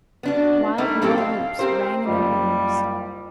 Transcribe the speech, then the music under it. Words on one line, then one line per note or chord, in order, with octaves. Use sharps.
Wild war-whoops rang in their ears.
B3 D4 F#4
G3 A3 A#3 D#4
A2 F#3 C4 G4 A4
F5
C4 G4 A#4 C5
F#1 G3 F4 D#5